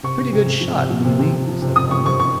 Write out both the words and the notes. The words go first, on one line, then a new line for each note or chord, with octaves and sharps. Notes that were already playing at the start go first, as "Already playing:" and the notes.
"A pretty good shot, Mealy!" said one.
C3 C#6
C3
C3
C3
F3
C3
F3
C3
C3
C3
F3
C3
C3 D#6
C3 C#6
C3 C#6
C3 C#6